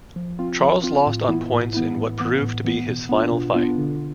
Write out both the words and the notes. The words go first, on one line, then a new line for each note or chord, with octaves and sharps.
Charles lost on points in what proved to be his final fight.
F3
C4 F4
F3
C4 F4
A2
E3 B3 E4
A2
E3 B3 E4
A2
E3 B3
A2
E3 B3
B2
B3 D4 F4
B2
B3 D4 F4
D3